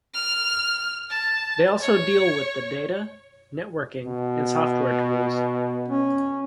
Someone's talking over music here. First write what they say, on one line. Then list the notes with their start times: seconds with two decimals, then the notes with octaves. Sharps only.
They also deal with the data, networking and software tools.
0.14 F6
1.10 A5
1.81 C#5
4.04 B2
5.89 C#4